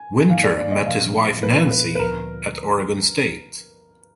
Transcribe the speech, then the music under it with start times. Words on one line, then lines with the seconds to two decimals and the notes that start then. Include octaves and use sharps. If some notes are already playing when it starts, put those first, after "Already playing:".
Winter met his wife Nancy at Oregon State.
Already playing: G#5
0.29 G#2 D#3 A#3 D#4 F5
0.43 D5
0.58 D5
0.71 D#5
0.86 A#2 F3 B3 F5
1.43 A#2 F3 B3 B4
1.71 B4
1.95 B4
1.99 D2 D3 F3 A#4